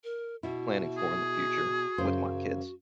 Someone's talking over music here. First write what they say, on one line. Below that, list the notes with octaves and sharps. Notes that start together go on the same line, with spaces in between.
planning for in the future, with my kids.
A#4
B2 E4 F#4
G#4
F#2 C#3 C5